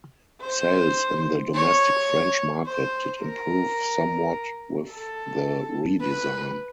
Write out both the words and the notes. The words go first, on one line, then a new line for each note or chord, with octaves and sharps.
Sales in the domestic French market did improve somewhat with the redesign.
C5
C#5
C5
A#4
A4
B4